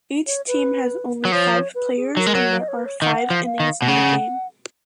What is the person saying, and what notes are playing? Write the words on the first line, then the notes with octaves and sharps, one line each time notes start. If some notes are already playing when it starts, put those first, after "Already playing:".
Each team has only five players and there are five innings in the game.
C#5
B4
F#3
F3 C#5
C#5
B4
G#4
F#3 A#4
G#3
F#3
D#5
C#5
B4
C#5
D#3 F#5
F3
F5
D#3
B2
C#3 F#5